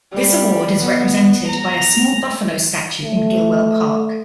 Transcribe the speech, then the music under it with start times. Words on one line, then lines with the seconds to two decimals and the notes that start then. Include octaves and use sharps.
This award is represented by a small buffalo statue in Gilwell Park.
0.13 G3
0.83 B3
1.48 A#5
3.05 A3